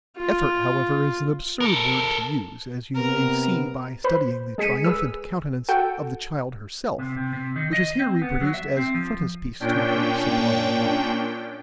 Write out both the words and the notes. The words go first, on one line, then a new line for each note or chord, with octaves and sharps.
"Effort," however, is an absurd word to use, as you may see by studying the triumphant countenance of the child herself, which is here reproduced as frontispiece to her sublime work.
F4
A4 A#4
C3 B3 A#4
B4 C5 B5
G#3 G#4 B6 C#7 D#7
G#4 B4 E6
F#4 A4 F#5 G5
C3
C3
C3
D#3
D#5
C4
B3
F#3
E5
C4
F3
A#2 C#4 D4 G5